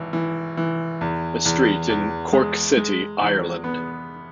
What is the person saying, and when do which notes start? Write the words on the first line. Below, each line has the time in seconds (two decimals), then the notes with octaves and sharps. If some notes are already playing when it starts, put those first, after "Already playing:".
A street in Cork City, Ireland.
Already playing: G#1 E3
0.13 E3
0.57 E3
1.01 E2
1.45 E2
1.89 E2
2.33 G#3
2.77 G#3
3.21 E2
3.64 B3